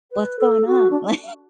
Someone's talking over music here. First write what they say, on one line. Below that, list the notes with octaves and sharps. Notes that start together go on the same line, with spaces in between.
"What's going on?" Like
B4
A4
F#4
D4